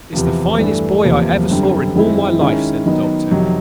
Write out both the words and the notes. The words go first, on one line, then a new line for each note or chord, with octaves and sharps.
'It's the finest boy I ever saw in all my life,' said the doctor.
E2 C3 F3
G2 E3 A3 D4
E2 C3 F3 A#3
F#2 D3 G3 C4
F#2 D#3 G#3 C4 E4
D#3 G#3 C#4 E4
D#3 F#3 B3 D#4
F2 C3 D#3 F#3